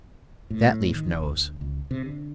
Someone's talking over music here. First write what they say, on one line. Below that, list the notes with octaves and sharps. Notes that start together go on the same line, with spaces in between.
That leaf knows.
A2
D#3
E1
D2
C#2
C3
D3